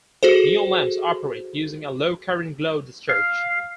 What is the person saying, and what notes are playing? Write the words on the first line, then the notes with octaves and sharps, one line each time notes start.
Neon lamps operate using a low current glow discharge.
F#4 G#4 A4 C5
F5